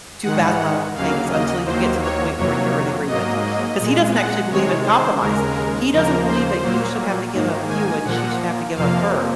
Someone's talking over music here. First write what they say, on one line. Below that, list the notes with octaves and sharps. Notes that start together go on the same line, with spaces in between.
to battle out the things until you get to the point where you're in agreement." 'Cause he doesn't actually believe in compromise. He doesn't believe that you should have to give up you and she should have to give up her.
G#2 D#3 G#3 F#5
D#2 C#3 F#3 A#3 F5
D#5
D#2 D#3 F#3 A#3 C5
C#5
F2 C3 F#3 A#3 C#5
G#2 F#3 A#3 D#5
A#2 G#3
F#5
C3 D#3 G#3 C#5
C5
D#2 C#3 G#3 A#4
D#2 C#3 F3 A#3 A#4
C5
A#2 F#3 A#3
G#2 D#3 A#3
G#5
A#2 F3 A#3 F#5
F2 C3 F3 A#3 F5